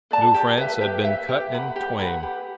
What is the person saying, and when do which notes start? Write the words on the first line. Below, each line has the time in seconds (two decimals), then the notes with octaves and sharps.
New France had been cut in twain.
0.11 B4 D5 A5
0.34 G4
0.58 B4 E5
0.81 G4
1.04 B4 E5
1.29 G4
1.52 B4 F#5 B5
1.76 G4
1.99 B4 F#5 B5
2.23 G4